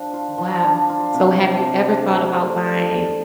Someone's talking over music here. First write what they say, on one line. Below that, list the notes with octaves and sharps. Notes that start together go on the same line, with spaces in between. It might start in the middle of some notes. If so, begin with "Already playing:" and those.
Wow. So, have you ever thought about buying
Already playing: F3 D4
F4
F3
D4
F4
C3
D4
C3
D4
D4
A3
D5
D5